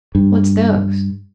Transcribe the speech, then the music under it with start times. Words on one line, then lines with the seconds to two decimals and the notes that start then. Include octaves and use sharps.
"What's those?"
0.15 G2